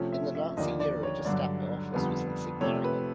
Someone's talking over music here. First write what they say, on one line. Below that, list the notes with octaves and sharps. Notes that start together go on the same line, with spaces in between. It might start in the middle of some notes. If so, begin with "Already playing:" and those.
In the Nazi era a Gestapo office was in Sigmaringen.
Already playing: C3 F3 A3 C#4
E5
E5
D#2 D3 F3 A#3 D4 D#5
D5
C#5
G2 D3 F#3 D5
F2 D3 G3 B3
C3 F3 A3 C#5
B4